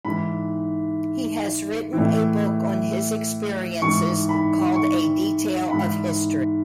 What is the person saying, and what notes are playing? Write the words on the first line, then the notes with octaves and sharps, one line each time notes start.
He has written a book on his experiences called "A Detail of History".
G#2 E3 B5
E3
A2
G#2 E3 C#6
B5
C#6
G#2 E3 B5